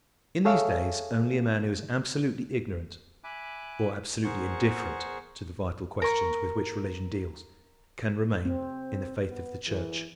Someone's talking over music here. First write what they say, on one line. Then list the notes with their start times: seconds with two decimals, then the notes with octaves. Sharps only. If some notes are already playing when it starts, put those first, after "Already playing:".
In these days only a man who is absolutely ignorant or absolutely indifferent to the vital questions with which religion deals, can remain in the faith of the Church.
0.45 G#4 A4 C#5 E5 F5
3.24 E5 G#5 B5 D6 F#6
4.24 E2 G#4 A#4 C5 F#5 C#6
6.02 A#4 C#6
8.45 C4
9.29 B3
9.68 E3 G#4